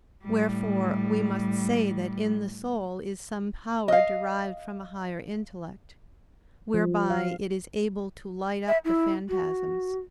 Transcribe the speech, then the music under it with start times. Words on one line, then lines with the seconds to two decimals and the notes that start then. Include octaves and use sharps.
Wherefore we must say that in the soul is some power derived from a higher intellect, whereby it is able to light up the phantasms.
0.24 A2 G3
3.88 D#5 F5
6.74 F3
7.10 F5
8.68 E5
8.85 E4
9.29 F#4